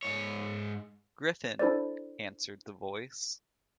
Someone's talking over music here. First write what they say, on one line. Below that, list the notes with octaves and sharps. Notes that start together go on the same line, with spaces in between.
"Griffin," answered the Voice.
G#2 C#5
D4 E4 A4 C5 D5